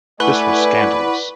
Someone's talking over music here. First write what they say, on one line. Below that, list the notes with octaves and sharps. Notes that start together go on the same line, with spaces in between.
This was scandalous.
A3 E4 B4 D5 F#5 G#5 C#6